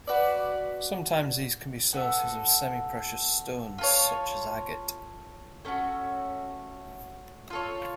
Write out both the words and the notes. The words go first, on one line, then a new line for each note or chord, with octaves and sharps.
Sometimes these can be sources of semi-precious stones such as agate.
F#4 B4 D5
B3 F#4 A4
F4 A4 C#5
A3 C#4 F#4
F4 A4 C#5